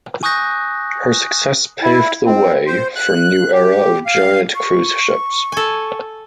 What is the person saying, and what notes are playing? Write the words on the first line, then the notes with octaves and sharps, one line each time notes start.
Her success paved the way for a new era of giant cruise ships.
G#5 C#6 D#6 F#6 G6 A#6
E4
C4
C5
F#6
G4
F5
C#6
A4 G#5